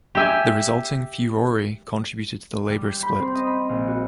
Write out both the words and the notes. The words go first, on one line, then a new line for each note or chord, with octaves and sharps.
The resulting furore contributed to the Labor Split.
G4 E5 G#5
G3
G6
B5
C4
D#5
B5
A#1
F#4